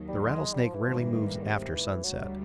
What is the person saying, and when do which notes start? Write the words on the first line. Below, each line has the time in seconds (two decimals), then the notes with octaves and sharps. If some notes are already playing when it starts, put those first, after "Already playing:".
The rattlesnake rarely moves after sunset.
Already playing: D#2 D#3 F#3
0.09 G3
0.23 G#3
0.54 G3
0.64 F3
0.74 E3
0.83 G#2 D#3 F3 G3 A#3
0.98 E3
1.13 E3
1.43 C3
1.74 E3
2.04 D2 D3 F#3 G3